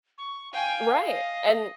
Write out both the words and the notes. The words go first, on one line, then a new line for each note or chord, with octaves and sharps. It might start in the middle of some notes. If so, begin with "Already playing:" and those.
Right, and
C#6
F5 G5 G#5
D#5